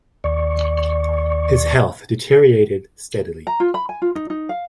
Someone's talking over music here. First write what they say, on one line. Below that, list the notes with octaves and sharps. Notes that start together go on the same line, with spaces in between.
His health deteriorated steadily.
D#2 D5 C#6
A#5
F4
B5
G#5
F4
D#4
D#4
F5